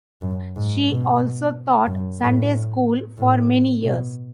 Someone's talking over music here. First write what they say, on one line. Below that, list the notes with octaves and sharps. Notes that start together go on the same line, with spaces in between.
She also taught Sunday school for many years.
F#2
G#2
B2
F#2
A2
A2
B2